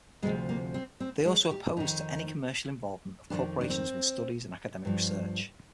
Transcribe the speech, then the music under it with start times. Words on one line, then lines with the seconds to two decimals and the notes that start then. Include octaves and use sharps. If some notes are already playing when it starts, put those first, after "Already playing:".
They also oppose to any commercial involvement of corporations within studies and academic research.
0.22 D2 G#3
0.26 C3 F3
0.49 A#3
0.74 C4
1.00 C4
1.26 G#3
1.51 G4
1.77 F2 D#3 D#4
3.30 F2 D#3 D4
3.61 D4
3.70 C4
4.85 G2 F3